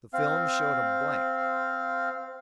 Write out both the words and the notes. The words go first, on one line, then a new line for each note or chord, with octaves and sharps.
The film showed a blank.
C4 F5